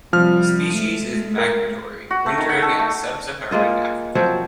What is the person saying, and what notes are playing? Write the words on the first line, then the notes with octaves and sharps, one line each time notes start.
The species is migratory, wintering in sub-Saharan Africa.
C3 F3 G3 F6
G#3 A3 D#7
A#4
F#4
A3
D#3
F#5
A4
A3
G#3 A#3 F4 D#5
F3 F#3 C4